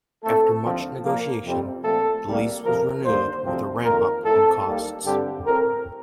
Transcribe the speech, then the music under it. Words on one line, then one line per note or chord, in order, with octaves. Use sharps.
After much negotiation, the lease was renewed, with a ramp up in costs.
A2 A3 C4 A4
D#2 D3 F3 C4
A#2 F3 A#3
F2 C3 G3 C4
A#2 F3 A3 C4 A4
C2 C3 G3 A#3
F2 C3 F3 A#4
D#2 D3 G3 A#3 C5
D2 C3 F3 C4
F2 D#3 A#3 A#4
A2 A3 C4 A4
D#2 D#3 G3 A#3
G2 D3 G3 C4 G4
A2 A3 C4 A#4